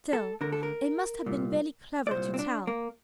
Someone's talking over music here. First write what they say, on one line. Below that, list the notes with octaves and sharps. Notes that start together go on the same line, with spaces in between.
'Still, it must have been vely clever to tell.
A4
D2 D3 A#4
A4
A#4
C2 A#2
D5
C2 A#2 C5
C4
D4
A#3